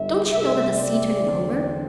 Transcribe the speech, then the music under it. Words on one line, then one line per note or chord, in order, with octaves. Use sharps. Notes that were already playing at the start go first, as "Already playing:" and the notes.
"Don't you know that the sea turned it over?"
Already playing: G1 G2 D3 E5
C2 C3 A3 C4 E5
D5
E2 D3 C4